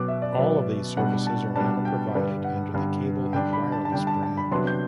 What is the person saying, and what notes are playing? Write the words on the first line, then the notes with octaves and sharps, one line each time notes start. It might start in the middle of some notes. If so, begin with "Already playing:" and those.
All of these services are now provided under the Cable and Wireless brand.
Already playing: B2 F#3 B3 D6 F#6
E5
D5
B2 F#3 B3 E5
B2 G3 B3 D4 F#5
A5
B2 G3 B3 D4 A5
G5
G2 D3 G3 B4
F#5
G2 D3 G3
D3 G3 D4 G5
B5
A5
A5
D3 G3 D4 G5
A5
A5
B5
C3 F#3 B3 D4 C6
G6